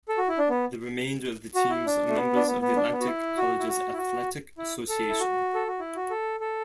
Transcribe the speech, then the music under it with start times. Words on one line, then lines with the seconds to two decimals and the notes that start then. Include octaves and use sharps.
The remainder of the teams are members of the Atlantic Colleges Athletic Association.
0.09 A4
0.18 F#4
0.28 E4
0.38 D4
0.49 B3
1.55 F#4
1.70 E4
1.86 D4
2.08 A3
2.16 B3
2.36 D4
2.46 B3
2.61 B3
2.77 D4
2.92 B3
3.01 F#4
3.07 E4
3.37 F#4
3.59 E4
3.68 F#4
3.93 E4
3.98 F#4
4.58 E4
4.89 A4
5.09 E4
5.20 F#4
5.55 A4
5.67 F#4
5.80 E4
5.96 F#4
6.10 A4
6.40 A4